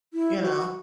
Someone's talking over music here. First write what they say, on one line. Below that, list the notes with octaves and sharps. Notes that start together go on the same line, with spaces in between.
you know?
E4
F#4